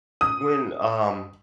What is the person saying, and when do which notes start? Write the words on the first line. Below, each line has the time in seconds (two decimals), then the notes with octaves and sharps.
when um,
0.21 D#6